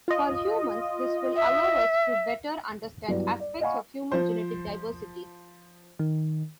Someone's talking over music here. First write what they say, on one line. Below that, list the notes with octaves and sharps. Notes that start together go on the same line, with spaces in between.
For humans, this will allow us to better understand aspects of human genetic diversity.
F4 D#5
E5
G2 F#3 G3 B3 E4 D5
D5
D#5 F5 F#5 G#5 B5 C#6
F3 C5
D#3